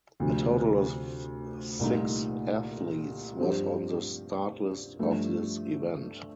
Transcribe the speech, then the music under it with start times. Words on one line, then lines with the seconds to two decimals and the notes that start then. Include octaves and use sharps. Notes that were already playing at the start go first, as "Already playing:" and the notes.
A total of six athletes was on the start list of this event.
0.20 D2 C3 F3
1.79 C2 A#2 A3 D#4
3.39 G2 F3 C4 G4
4.99 G2 F3 A3